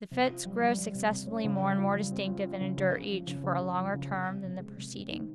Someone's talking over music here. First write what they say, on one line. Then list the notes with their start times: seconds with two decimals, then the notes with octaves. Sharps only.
The fits grow successively more and more distinctive, and endure each for a longer term than the preceding.
0.11 C3
0.28 F4
0.45 G3
0.61 G3
0.78 G3
0.95 C3
1.11 C3
1.27 C#4
1.44 C#3
1.61 G3
1.78 F4
1.94 G3
2.11 C4
2.27 F4
2.44 F4
2.61 C#3
2.77 C#3
2.94 C#3
3.11 F3
3.27 C#3
3.44 C#3
3.61 C#3
3.77 F3
3.94 C#3
4.10 C3
4.27 C4
4.44 C3
4.60 G#3
4.77 C3
4.94 C4
5.11 D#3